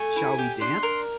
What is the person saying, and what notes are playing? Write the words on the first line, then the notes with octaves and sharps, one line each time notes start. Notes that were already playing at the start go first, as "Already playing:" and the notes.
Shall We Dance?
Already playing: A3 G#5
E4
G4
D4 C6
A#4